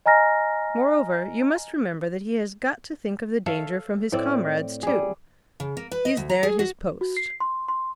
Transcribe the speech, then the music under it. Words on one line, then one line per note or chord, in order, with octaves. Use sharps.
Moreover, you must remember that he has got to think of the danger from his comrades too. He's there at his post.
D#5 G#5 A#5 F6 A#6
A4 C#5 E5 F5
A2 C4 D5
G3 G#4
C#3
A#3
B4
D#5
D2
A#5
G#4
F#4
F#4
C7
C6
C6